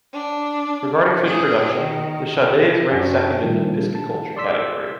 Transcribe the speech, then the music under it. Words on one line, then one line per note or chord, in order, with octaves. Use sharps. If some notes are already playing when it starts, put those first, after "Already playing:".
Regarding fish production, le Chadet is ranked second in the pisciculture category.
D4
G#4
D#3
F#2 C#4 D4 F#4 G#5
G5 A5
A#2 D#3 F3 G3 A3 D4
A5
D5 C6 E6 B6